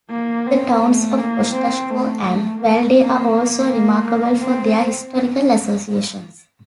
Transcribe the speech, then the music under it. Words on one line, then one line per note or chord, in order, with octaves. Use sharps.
The towns of Ostashkov and Valday are also remarkable for their historical associations.
A#3
C4
A3
A#3
C4
A3
A3
A#3
A#3
A#3
A#3
A#3
C4